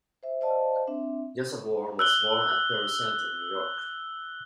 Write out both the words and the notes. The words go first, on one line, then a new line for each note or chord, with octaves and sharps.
Joseph Ward was born at Perry Center, New York.
C5 E5
C5 D5 D#5 F5 A5
C4 D4 E5
E6 F#6 G7